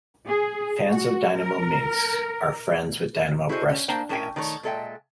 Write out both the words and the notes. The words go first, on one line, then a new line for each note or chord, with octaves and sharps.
Fans of Dinamo Minsk are friends with Dinamo Brest fans.
G#4
F#4
A#4
E4 F#4 G#4 A4 C5 D#5
C#4
A2 A#3 D4 C5 G5
A2 C#4 A#4 G5 G#5
D#3 A3 B4 C#5
A#2 G#3 A4 D#5 E5 G5